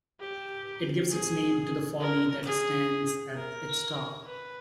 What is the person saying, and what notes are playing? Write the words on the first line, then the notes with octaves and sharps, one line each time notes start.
It gives its name to the folly that stands at its top.
G4
G#4
A#4
G#4
A#4
B4